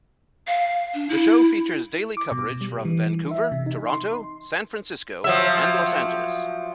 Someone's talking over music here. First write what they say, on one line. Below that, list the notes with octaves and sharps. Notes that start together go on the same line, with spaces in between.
The show features daily coverage from Vancouver, Toronto, San Francisco and Los Angeles.
F5
D4
E4
D6
B2
G3
E3
E5
C3
D#4
C6
F3 F#3 E5